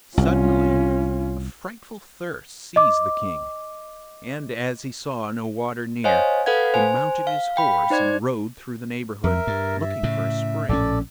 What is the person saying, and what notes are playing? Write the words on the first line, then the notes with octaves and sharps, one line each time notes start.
Suddenly a frightful thirst seized the King, and as he saw no water near, he mounted his horse, and rode through the neighbourhood looking for a spring.
C2 C#4 F4
D#5 D6
C5 C#5 D#5 F5 G#5
A4 B4 F5 F#5 G#6
C5 G#5
F5
F5 G5 B5
D#4 C5 D5 G#6
F2 A#4 E5
G2
E5
A2 C#3
A#1 A2 C#4 A4 D5